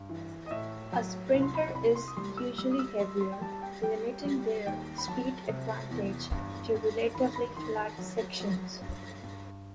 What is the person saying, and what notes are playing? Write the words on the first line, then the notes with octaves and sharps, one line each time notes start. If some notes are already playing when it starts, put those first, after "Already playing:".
A sprinter is usually heavier, limiting their speed advantage to relatively flat sections.
Already playing: G2
E3
D#5
A2 E5
F#3
C2
C6
B5
C2 B5
C6
D#6
G3 C6
E6
G3 E6
D#6
E6
G3 C6
C6
G5
G3 A5
A5
G5
G3 G5
G3
D#2 G5
B5
F#3 A5
C3
E2
G2
G2
D#3 B5
B5
D#3 C6
A5
F#3
F#3
G2
G2